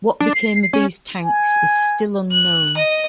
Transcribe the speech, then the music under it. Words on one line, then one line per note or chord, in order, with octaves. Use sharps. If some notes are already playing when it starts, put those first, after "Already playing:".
What became of these tanks is still unknown.
D4
C7
C#4
G#5
F#6
D#5